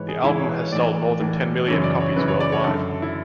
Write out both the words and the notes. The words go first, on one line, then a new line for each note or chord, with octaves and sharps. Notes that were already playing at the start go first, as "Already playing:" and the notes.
The album has sold more than ten million copies worldwide.
Already playing: G#2 E3 B4 C#5
G#4
G#2 E3 E4
C#5
B4
C#5
A2 E3 D5
A2 E3
F#2 C#3 E3 C#5
D5
C#5
F#2 C#3 E3 B4
C#5
D5
C#5
F#2 D3 A4
E4